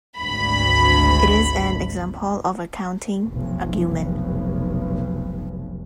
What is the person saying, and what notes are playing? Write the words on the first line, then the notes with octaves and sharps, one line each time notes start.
It is an example of a counting argument.
G#1 D2 B5
F1 B1